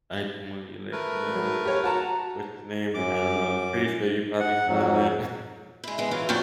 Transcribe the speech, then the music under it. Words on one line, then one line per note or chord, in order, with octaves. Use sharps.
"I just wanted you to let you know that what's-his-name, wh I don't know, I'm pretty sure you probably smell it."
A3 A#4 B4
F#3
G4 C#5
F#4 A5 A#5
F#2 D6
F#5
F2 G#2 F#3
G#3 E4
E3 G#3 B3
E3 F#3 F4
F2 A#2 A3 F#4 G5 A5